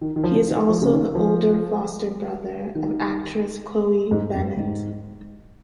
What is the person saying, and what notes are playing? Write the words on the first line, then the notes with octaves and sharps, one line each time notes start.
He is also the older foster brother of actress Chloe Bennet.
D#3
D#3
F3
D#3
F3
C#3
D#3
F3
D#3
G#2
F#2
G#2